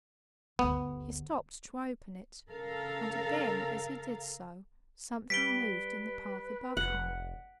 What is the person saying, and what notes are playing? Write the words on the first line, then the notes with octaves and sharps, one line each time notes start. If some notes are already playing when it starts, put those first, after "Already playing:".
He stopped to open it, and again, as he did so, something moved in the path above him.
G1 D2 B3
C#3 A4 A#4 F5
G3 B4 B6 D7 G7
F1 F#5